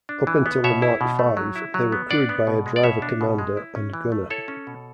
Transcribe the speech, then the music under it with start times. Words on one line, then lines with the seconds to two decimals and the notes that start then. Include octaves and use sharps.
Up until the Mark V, they were crewed by a driver-commander and gunner.
0.09 D4
0.27 E3
0.46 B3
0.64 B2 C#5 E5
0.82 E4
1.01 B2
1.19 A3
1.37 F#3
1.56 E4
1.74 F#3
1.92 B3
2.11 D4 D5 F#5
2.29 B3
2.47 B2
2.66 G#3
2.76 D5
2.83 B2 C#5 E5
3.02 D4
3.21 B2
3.39 G#3
3.57 E4
3.76 C#4
3.93 E3
4.12 A3
4.30 E4 A4 C#5
4.48 C#4
4.67 B2